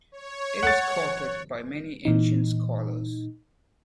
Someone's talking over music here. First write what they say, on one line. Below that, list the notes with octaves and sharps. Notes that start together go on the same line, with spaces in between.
It is quoted by many ancient scholars.
C#5
F#5 A6
A#2 E3 D#4